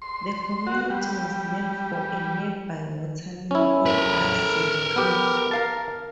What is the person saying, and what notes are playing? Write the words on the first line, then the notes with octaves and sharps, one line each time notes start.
The community was named for a nearby watermill on Bazile Creek.
C6
F#4
G3
G3
C#4 E4
A#4 B4
B3 G4
A#4 F5 A5